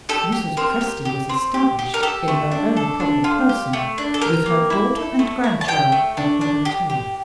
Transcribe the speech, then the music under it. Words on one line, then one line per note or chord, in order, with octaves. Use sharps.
Mrs. Presty was established, in her own proper person, with her daughter and grandchild at the hotel.
G4 A4
G4
C4 A#4
G4
G4
C4
G4
G4
A#4
G4 A4
A3
D4
A4
D4
F4
G4
A3
D4
A4
G4 A#4
A#3
E4
A4
A3
E4
A5
G4 G5
A3
D4
D4
G4
G4